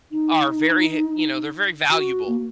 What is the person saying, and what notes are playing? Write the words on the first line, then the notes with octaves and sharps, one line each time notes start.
mm are very he you know, they're very valuable.
D#4
F#4
A#3